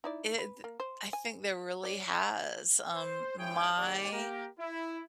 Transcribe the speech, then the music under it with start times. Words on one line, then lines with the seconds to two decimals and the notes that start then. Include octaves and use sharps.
It th I think there really has, um, my
0.04 D#4 E4 D5
0.39 B4
0.64 A#3
0.80 C5
1.13 G#5
1.83 C#5 D5
2.94 C5
3.38 G#1 F3 E4 G#4 C#5 G5
3.78 D#2 C#3 G4 D5
4.12 A#3 G4 A#4
4.59 E4